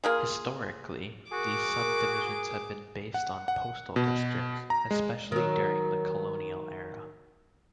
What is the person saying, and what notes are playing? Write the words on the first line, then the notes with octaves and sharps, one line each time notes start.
Historically, these subdivisions have been based on postal districts, especially during the colonial era.
A#3 F4 G#4
F#4 G#4 A#4 D6
F#5
F#5
B2
A#5
G#3
D#3 F#3